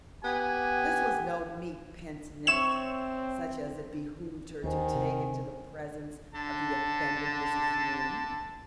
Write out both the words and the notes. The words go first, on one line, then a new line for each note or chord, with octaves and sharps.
This was no meek penitent such as it behooved her to take into the presence of the offended Mrs. Lynde.
B3 G4 G#5
C4 C#5 E5 C#6 E7
D#2 D#3 C5 G#5
C3
D3 A5